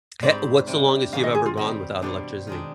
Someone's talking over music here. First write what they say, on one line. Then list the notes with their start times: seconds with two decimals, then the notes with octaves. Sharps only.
He what's the longest you've ever gone without electricity?
0.22 G#2 G3 C4 D5
0.67 C3 G3 D4
1.12 G#2 D#3 G#3 F5
1.24 D#5
1.35 G#4
1.46 F4
1.57 B2 G3 C4 D#4
2.02 B2 G3 C4 D4
2.47 D#3 G#3 D4